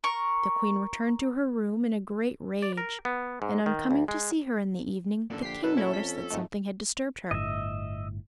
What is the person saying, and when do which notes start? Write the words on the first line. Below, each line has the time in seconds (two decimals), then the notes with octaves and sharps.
The Queen returned to her room in a great rage; and on coming to see her in the evening, the King noticed that something had disturbed her.
0.04 A#4 C#6
2.62 D5
2.77 A#4
3.05 B3
3.42 G#2
3.66 D#3
3.91 D2
4.08 G#3
5.30 F#1 A#2 D3 A4
5.42 A#1 G4 B6 C7
5.64 F#2 B2 A4 B4
5.76 A#2 C#4 E4
5.93 F2 B6
6.30 F2 G#2 A3 D#5
7.31 G1 A2 D#5 E5